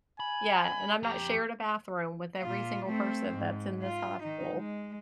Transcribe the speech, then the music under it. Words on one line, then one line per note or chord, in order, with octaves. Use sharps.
Yeah, "And I'm not sharing a bathroom with every single person that's in this hostel."
G#5 B5
F2 G4 A#5
A#2 F4
A3 C4
G#2
F4
D#3 D#4
G#3